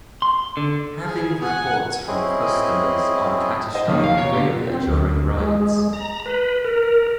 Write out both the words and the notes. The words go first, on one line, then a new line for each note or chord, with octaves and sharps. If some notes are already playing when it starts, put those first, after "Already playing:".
Having reports from customers on catastrophic failure during rides.
C6
D3
G#4
F#5 G#5
C4 C#4 E4 G#4 D#5
C5 D#5 G5
D#2 C#3 F3 D#4
F5
B2 C#5 A#5
A#2 D3 G4
C4
D2
G#3
A#5
B4
A#4